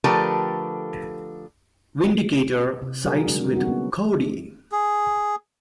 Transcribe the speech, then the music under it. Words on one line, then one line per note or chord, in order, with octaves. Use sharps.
Vindicator sides with Cody.
D3 F3 A3 G4 A#4 B4
C3
F#3 G3 D4 F#4 G#4 A#4
D3 F#3 G#3
G3 B3 D4 D#4 F#4
A#3 B3 C#4
G#4